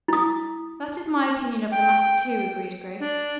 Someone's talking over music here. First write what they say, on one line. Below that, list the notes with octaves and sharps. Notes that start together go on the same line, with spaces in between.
"That is my opinion of the matter, too," agreed Grace.
E4 D#6
G5
D4